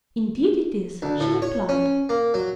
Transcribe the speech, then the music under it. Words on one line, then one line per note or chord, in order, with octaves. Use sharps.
"Indeed it is," she replied.
D2
A2
C#5
C#4
A#3
F#3